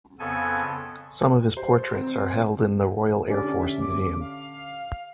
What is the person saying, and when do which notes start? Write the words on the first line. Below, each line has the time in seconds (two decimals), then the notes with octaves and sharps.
Some of his portraits are held in the Royal Air Force Museum.
0.19 F2 C#3 B3 A4 G#5
1.57 C5
1.93 C4
3.27 D3 C#4 G4 D5
3.58 E5
3.79 D6
4.20 F5